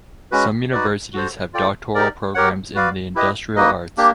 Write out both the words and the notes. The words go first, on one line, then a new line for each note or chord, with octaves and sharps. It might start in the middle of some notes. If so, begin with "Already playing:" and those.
Some universities have doctoral programs in the Industrial Arts.
G#3 C#4 F#4 B4
D#4 F#4 B4 D5
F#4 A4 C5
F4 A4 D5 G5
D#4 G4 A#4 D5
G4 A#4 C#5 F#5
F#4 B4 D5 F5
E4 G4 B4 D#5
A#3 D#4 F#4 B4 D#5
A#3 D4 G4